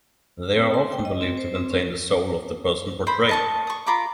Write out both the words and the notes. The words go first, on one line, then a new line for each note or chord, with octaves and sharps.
They are often believed to contain the soul of the person portrayed.
C4
C6
G5
D#5
C4
C5
C4
C#4
C5 B5
D#5 A5 C#6
C#6 D#6
F4 A#4 B5 D6